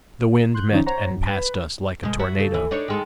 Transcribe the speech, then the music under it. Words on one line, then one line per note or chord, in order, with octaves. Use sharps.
The wind met and passed us like a tornado.
C6 F#6 G6
D#3 F3 C#4 D#4
C5 C#5 F#5 A#5
F#2
B4 B5
B2 G#3
F#4 E5
C#3 A4
E3
D4 D#4 C#5
D#3 G#3 A4